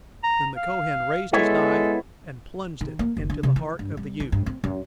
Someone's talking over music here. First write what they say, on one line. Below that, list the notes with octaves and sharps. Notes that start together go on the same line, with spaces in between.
Then the Kohen raised his knife and plunged it into the heart of the youth.
A#5
F5
G#3 B3 E4 A4 C#5
D#3
A#3
F#1
D3
C3
E3
G2
G3
D#3
G2
C4
F#2